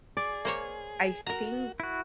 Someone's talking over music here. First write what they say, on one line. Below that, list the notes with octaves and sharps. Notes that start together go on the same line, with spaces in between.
I think
G#4 D5
A#3 C5 C#5
F#4 A#4 A#5
E4 F#4